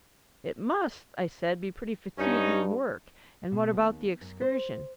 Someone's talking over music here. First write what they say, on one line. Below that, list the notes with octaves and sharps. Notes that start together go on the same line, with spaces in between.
"It must," I said, "be pretty fatiguing work, and what about the Excursion?"
G2 C#4 D#4
B2
D#2
F#2
C5